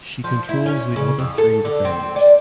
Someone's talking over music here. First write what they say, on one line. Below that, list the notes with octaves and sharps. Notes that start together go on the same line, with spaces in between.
She controls the other three defenders.
F3
E4
C#4
C#3
F2
A4
D3
C4
D5